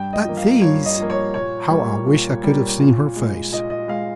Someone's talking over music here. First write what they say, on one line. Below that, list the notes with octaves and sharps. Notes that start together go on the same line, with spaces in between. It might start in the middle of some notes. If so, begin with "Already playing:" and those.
"But these--" How I wish I could have seen her face!
Already playing: G2 G5
D#5
F3 A#3
F5
G2 C#5
D#5
F3 A#3
C#5
A#2 C#5
G3 A#3
A#2
G3 A#3
A#2
G#3
A#2 D#5
D#5
G#3 F5